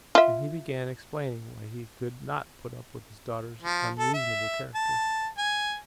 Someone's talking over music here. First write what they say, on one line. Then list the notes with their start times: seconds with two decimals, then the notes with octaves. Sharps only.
And he began explaining why he could not put up with his daughter's unreasonable character.
0.15 F4 E5
3.62 F3
3.99 A4
4.14 E5
4.75 A5
5.38 G#5